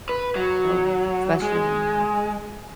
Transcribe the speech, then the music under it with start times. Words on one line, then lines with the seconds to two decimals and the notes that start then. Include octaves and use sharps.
going, especially when you have
0.09 B4
0.36 F#3
1.42 G#3